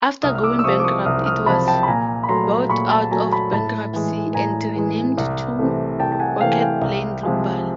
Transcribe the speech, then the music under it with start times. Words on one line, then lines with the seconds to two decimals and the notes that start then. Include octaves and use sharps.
After going bankrupt, it was bought out of bankruptcy, and renamed to Rocketplane Global.
0.23 C2 D#6 F6
0.35 F6
0.43 D6 E6
0.59 E6
0.64 C3 F3 C#6 D#6
0.80 D6
0.84 C#6 D#6
1.05 C2 D#6 F6
1.26 D#6 F6
1.46 C3 F3 A5 B5
1.67 G5 A5
1.83 B5
1.87 A#2 G#5 A#5
2.23 B5
2.29 F#3 A3 A#5 C6
2.70 A#2 B5 C#6
2.91 A5 B5
3.11 F#3 A3 G#5 A#5
3.24 A#5
3.32 A5 B5
3.52 A2 A5 B5
3.93 E3 G#3
4.34 A2 G#5 A#5
4.76 E3 G#3
5.17 C2
5.59 C3 E3 A3
6.00 C2 G5 A5
6.12 A5
6.20 F#5 G#5
6.41 C3 E3 A3 F5 G5
6.52 G#5
6.61 F5 G5
6.81 C2
7.23 C3 F3 G#3